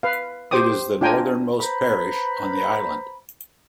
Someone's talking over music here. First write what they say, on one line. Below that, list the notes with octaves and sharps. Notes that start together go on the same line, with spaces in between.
It is the northernmost parish on the island.
B4 F5
G4 C5 G5 D6 D#6
D4 F4 G5 G#5 A#5
B4 C5 A#5 B5